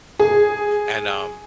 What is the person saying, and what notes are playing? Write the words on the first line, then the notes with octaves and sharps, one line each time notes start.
and, um,
G#4